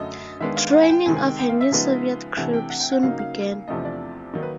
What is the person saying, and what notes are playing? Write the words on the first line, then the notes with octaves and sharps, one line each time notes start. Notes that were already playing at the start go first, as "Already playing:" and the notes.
Training of her new Soviet crew soon began.
Already playing: F#2 D3 F#3 A3 D#5
D#3 G#3 B3 D4 E5
F5
F#5
G#5
G5
C3 D#3 G#3 G#5
G#5
G5
G5
F5
E5
C#3 F3 G#3 B3 D#4
C3 E3 A3 D4 F#5
G5
F#5
G5
F#5
C#3 F#3 A#3 D#4 F5
F5
E2 C3 F3 A3 D4 D#5
D5
D#3 F#3 A#3 D#4
B4